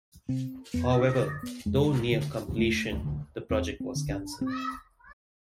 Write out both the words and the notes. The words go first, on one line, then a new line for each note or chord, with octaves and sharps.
However, though near completion, the project was canceled.
C3 C4
F2 B3
D4
D3
B3
F2 G#3
D3
E2 A3
D3
E2 C4
C4
D3
D4
C4